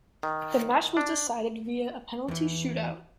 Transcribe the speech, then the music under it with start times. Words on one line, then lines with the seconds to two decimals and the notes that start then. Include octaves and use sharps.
The match was decided via a penalty shoot out.
0.23 D#3
0.97 D4
2.28 E2 E3